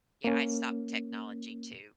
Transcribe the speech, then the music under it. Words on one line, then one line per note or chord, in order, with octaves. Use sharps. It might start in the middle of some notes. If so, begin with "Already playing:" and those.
Yeah, I stopped technology too,
A#3 C#4